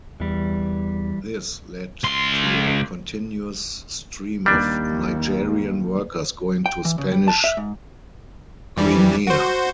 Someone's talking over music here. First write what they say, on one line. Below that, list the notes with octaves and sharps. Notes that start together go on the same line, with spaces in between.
This led to a continuous stream of Nigerian workers going to Spanish Guinea.
E2 E3 G3
C#2 C6
D#2 G3 D4
G5
E3
C#3
G3
A5
E5
G#2
F2 E3 G3
F#4 C5